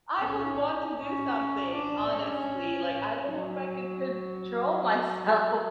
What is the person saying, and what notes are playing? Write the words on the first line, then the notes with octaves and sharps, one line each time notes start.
I would want to do something, honestly, like I don't know if I could control myself.
C#4
C#4
D4
C#4
F#3